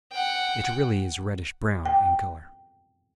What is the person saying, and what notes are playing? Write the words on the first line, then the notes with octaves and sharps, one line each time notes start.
It really is reddish-brown in color.
F#5 G5
G5